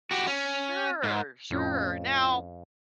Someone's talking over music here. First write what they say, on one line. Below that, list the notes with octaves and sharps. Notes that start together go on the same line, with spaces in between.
S sure, sure, now,
F#4 G4
C#4
G#2
F2 A2 C#4 F4